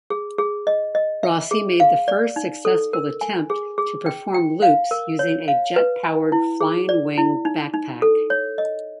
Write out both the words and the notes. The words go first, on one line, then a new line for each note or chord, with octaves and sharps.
Rossy made the first successful attempt to perform loops using a jet-powered flying-wing backpack.
G#4
G#4
D#5
D#5
E5
G#4
F5
D5
D#4
A4
A#4
G#5
G#4
G#4
G5
G5
F5
A#4
C#5
F5
B4
G#5
E4
G#4
D5
E4
D#4
D#4
A4
C#5
D#5